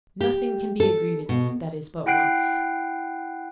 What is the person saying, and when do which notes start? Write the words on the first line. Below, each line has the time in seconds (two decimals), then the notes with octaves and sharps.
Nothing can be a grievance that is but once.
0.21 G4
0.80 A4
1.29 B2
2.06 E4 F#5 G5 F#6 C7 D7